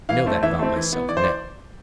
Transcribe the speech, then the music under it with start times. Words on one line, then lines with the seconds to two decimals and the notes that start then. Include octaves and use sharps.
I know that about myself now.
0.09 E3 F5
0.26 A3 C4
0.43 E3 E5
0.59 A3 C4
0.76 E3
0.93 B3
1.09 E3 D5
1.17 C5
1.24 D5